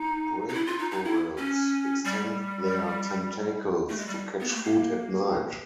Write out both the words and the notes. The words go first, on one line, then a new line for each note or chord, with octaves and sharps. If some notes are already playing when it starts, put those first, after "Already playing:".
Brain corals extend their tentacles to catch food at night.
Already playing: D#4
D#4
E4
F4
D#4
D#4
E4
C#4
G3
A3
G#3
G3
B3
A#3
A3
A#3